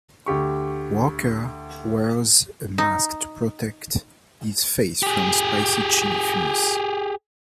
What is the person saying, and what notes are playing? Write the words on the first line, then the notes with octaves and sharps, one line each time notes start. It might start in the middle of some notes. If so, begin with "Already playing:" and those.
Worker wears a mask to protect his face from spicy chili fumes.
D2 G4 C#6
D#4
G4 G#4